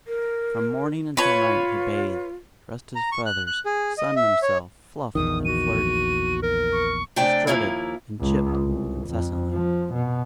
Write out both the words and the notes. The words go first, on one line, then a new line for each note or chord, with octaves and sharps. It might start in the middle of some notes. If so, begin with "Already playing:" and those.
From morning until night he bathed, dressed his feathers, sunned himself, fluffed and flirted. He strutted and "chipped" incessantly.
A#4
F4 B4 C#5
A#5
C#6
F#6
F#6
G#4
D#5
E5
C#5
A#1 E2 D#3 D#6
F#4 D#7
A#4
C#6
C3 A3 D4 D5 G5 G#5
D#2 G#2 F3 A#3 E4
C#2
C2
F2
F3
B2